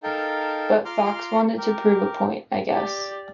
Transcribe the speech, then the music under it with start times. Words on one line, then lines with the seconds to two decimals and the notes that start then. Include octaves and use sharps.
But Fox wanted to prove a point, I guess.
0.03 D#4 A4 A#4 F5 G5 A5
0.85 F4 A#5 C6 D6 F6
1.58 G4 A#4
2.72 G4 D5